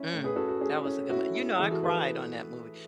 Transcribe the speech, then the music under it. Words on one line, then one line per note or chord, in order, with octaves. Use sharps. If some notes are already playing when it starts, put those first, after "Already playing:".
Mm, that was a good mo you know, I cried on that movie,
Already playing: C#4 E4
A2
G#4 B4
C#4 F#4 A4
F#4
C#4 G#4
C#4
E4 F#4
E4
E3 G#4
F#4 A4
E3 G#4 B4